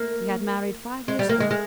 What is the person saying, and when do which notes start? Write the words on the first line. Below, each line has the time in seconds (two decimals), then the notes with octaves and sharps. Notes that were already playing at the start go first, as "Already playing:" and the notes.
He had married five years ago.
Already playing: A#3
1.08 G#3
1.19 G3
1.29 A#3
1.40 G#3
1.51 G#3